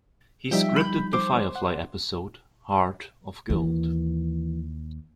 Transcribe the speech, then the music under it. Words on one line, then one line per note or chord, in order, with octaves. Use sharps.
He scripted the Firefly episode "Heart of Gold".
F3 G3 D#4 E5 G5
B5 G6
C5 D6
F#5
D#2 E3